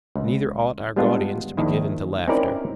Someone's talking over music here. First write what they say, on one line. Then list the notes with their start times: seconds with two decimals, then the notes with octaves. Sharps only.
Neither ought our guardians to be given to laughter.
0.16 C#2
0.96 G3 G#3 B3 D4 F4
1.57 A#1 D#3 E4
2.28 C4 C#4 D#4 E4 A#4 D5